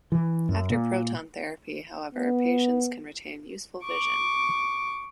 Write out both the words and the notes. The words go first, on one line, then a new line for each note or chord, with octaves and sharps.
After proton therapy, however, patients can retain useful vision.
E3
F#2
A#2
B3
C#6 D6